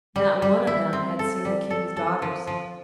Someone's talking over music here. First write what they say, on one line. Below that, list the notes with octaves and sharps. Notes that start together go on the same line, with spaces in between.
Not one of them had seen the King's daughters.
G3
G3
E4
C4
A4
G3
A4
A4
F3
F3